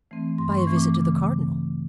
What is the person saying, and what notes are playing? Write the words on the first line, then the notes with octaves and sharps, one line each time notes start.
"By a visit to the cardinal."
E3 A3 C4
G2 C6
C#6
E3 A3 C4
D6
C#3 D6